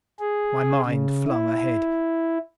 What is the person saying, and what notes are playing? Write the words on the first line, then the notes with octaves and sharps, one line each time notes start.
My mind flung ahead.
G#4
C#3
E4